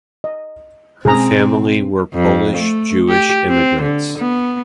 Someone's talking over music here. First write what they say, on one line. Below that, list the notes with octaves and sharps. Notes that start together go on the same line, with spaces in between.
Her family were Polish Jewish immigrants.
D#5
B2 G#3 C4 C#4 G#4 A#5
F2
A3
G4
C4
D3
B3